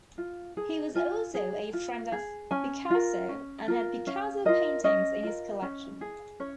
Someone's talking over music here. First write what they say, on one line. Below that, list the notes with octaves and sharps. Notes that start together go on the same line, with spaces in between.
He was also a friend of Picasso and had Picasso paintings in his collection.
F4
G#4
F4 G#5
G#4
F4
G#4
C#4 G#5
F4 A#4
C#4
F4 A#4
C#4 F5
F4 A#4 D#5
C#4 D#5
F4 A#4
C#4
G#4
C#4 C#5